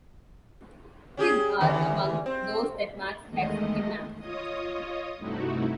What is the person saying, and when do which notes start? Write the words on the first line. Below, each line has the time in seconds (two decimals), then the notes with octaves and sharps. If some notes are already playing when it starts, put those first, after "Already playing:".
Pig are among those that Max has kidnapped.
1.17 C#4 G4 G#4
1.61 D#2 D3 E3
2.26 C4
3.30 E2 D#3 G#3 A3 D#5
4.18 F4 C#5 D#5 D#6
5.17 G2 C3 A3 D#4 E4 F#4